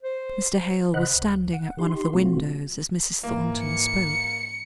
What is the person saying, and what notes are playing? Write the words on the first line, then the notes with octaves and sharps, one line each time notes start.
Mr. Hale was standing at one of the windows as Mrs. Thornton spoke.
C5
C#3 C5 D#5 F#5 B5 F#6
D2
F#5
D#4 G4 C6
B2 F#3 A3 C4 F4 F#4
G#2 E3 A#3
C#7